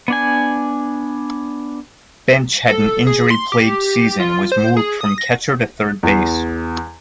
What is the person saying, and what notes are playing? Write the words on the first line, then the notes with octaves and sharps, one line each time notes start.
Bench had an injury plagued season and was moved from catcher to third base.
B3 D4 G#5
A4
G#4
C6
G4
F4
C5
G#4
D#6
A#6
E2